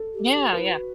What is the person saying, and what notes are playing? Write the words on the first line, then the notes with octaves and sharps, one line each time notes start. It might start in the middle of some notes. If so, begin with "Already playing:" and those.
Yeah, yeah.
Already playing: A4
G4
G4
F#4
B4
E4
F#4